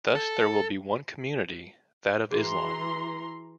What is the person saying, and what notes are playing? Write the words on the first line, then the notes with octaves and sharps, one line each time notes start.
Thus, there will be one community, that of Islam.
A4
E3 F#4 G#4 A#5 C6